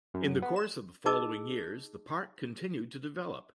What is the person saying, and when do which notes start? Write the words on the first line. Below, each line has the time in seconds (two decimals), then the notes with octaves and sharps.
In the course of the following years the park continued to develop.
0.14 F#2
0.42 B3
0.56 E7
1.06 D#4 G#4 D#5 A5 D6 E6